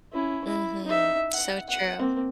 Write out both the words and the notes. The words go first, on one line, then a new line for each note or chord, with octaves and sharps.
Mhm, so true.
C#4 E4
E4
D#4 E5
F#5
F#5
A#3 C4